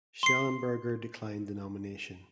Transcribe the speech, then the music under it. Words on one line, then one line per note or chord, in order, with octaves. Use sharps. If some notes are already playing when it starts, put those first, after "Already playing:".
Shellenberger declined the nomination.
C6 C7